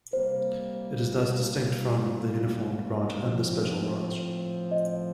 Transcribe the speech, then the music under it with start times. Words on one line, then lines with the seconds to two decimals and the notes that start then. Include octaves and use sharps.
It is thus distinct from the Uniformed Branch and the Special Branch.
0.13 C3 G3 A#3 C5
3.19 A2 F3 C4
4.72 D#5